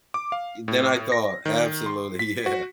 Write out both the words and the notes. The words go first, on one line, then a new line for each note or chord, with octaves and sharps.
Than I thought, absolutely. Yeah.
D6
F5
A2
A#6
D#3
C6
B6
F#4